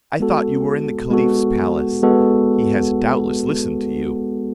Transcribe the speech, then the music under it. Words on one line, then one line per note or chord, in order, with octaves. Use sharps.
I thought you were in the caliph's palace; he has doubtless listened to you.
G#3 B3 F#4 A4
G#3 B3 F#4 A4
G#3 B3 F#4 A4